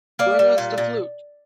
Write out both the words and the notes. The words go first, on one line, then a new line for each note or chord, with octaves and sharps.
Bring us the flute!
A#3 D5
G3
A#2
A#2